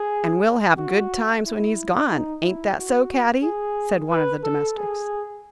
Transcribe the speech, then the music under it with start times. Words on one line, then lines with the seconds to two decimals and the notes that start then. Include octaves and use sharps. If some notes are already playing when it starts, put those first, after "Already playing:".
"And we'll have good times when he's gone, ain't that so, Caddie?" said one of the domestics.
Already playing: G#4
0.78 F#4
1.45 E4
2.11 D#4
2.43 E4
2.78 F#4
3.43 G#4
4.10 B4
4.43 A4
4.77 G#4